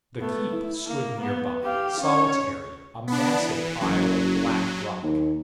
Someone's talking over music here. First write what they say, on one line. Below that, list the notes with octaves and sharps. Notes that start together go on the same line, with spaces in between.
The keep stood nearby, solitary, a massive pile of black rock.
A3 B3
E4
A#3
B3
G4 F5
C#4 C#5
B3 D4
E3
F#1 F#3
D#2